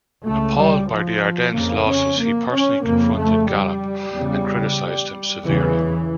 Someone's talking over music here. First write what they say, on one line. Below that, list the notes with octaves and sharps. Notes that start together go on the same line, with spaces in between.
Appalled by the Ardennes losses, he personally confronted Gollob and criticised him severely.
C#2 C#3 A3
G3
F3
F2 C#3 A#3
C#4
A#3
C#4
F2 C#3 A#3
A3
G3
E2 C#3
E2 C#3 E3